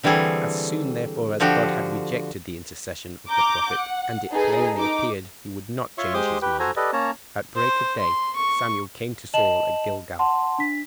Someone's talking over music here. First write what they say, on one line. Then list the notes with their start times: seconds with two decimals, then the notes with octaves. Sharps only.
As soon therefore as God had rejected the intercession of the prophet, and it plainly appeared he would not change his mind, at break of day Samuel came to Saul at Gilgal.
0.03 D3 E3 G3 C4 G#4 A4
1.40 D3 F3 F#4 G4
3.29 A#5 D6 G6
3.70 F#5
4.32 D#4 G#4 A4 B4
4.76 D#4 D6
5.98 F4 C#5 E5 C6 C#6
6.14 G#3 G4 C5 C6 D6 D#6
6.42 G4 B4 G5
6.59 F#4 A4 C5 G#5 A#5
6.76 G4 A4 B4 D5 D#5
6.93 A#3 C#4 C#5 A5 A#5
7.56 C5
7.99 C6
8.36 C#6
9.34 D#5 A5 E7 F#7
10.19 F#5 A5 C6
10.59 D4 B6